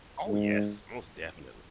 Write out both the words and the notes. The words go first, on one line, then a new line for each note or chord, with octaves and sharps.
Oh yes, most definitely.
G#2